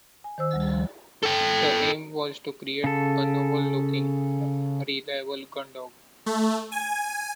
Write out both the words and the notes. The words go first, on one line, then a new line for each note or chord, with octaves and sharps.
The aim was to create a noble-looking, reliable gun dog.
G#5
D#3 C5 E6
D2 G3
F3
A4 G5
C#3 A4
A3
G#5